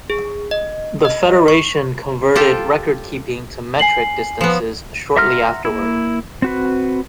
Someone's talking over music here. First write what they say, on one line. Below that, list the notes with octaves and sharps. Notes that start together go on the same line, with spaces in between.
The federation converted record-keeping to metric distances shortly afterward.
G#4
D#5
D#5
C#6
F4 G4 A4
G#5 C7 F#7
F3 B3
E5 F#5 A#5 C6 F6
A#3 E4
C4 F#4 B4